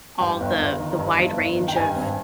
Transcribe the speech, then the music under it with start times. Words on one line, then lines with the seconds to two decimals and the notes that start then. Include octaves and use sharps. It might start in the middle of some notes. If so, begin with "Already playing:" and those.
all the the wide range of
0.20 G2 G5
0.40 G1
0.59 G1
0.78 D#3
0.98 G2
1.18 G1
1.37 G1
1.56 D#3
1.68 G5
1.76 G2 G#5
1.96 G#1